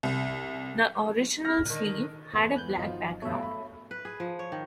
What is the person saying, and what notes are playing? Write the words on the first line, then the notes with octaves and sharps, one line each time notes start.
The original sleeve had a black background.
C2
F6 A#6
D3 D#3
G1 E2 A3 B3
G#5 F#6 G6
G1 F3 F#3 D#4 F4
G2 B2 A3 C#5 E5
B5
B4
G#4
F3
C#5
D#3